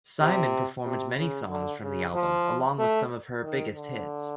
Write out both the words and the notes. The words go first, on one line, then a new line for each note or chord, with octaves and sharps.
Simon performed many songs from the album, along with some of her biggest hits.
C3
C3
C#3
D3
C#3
F3
A3
D#3
D3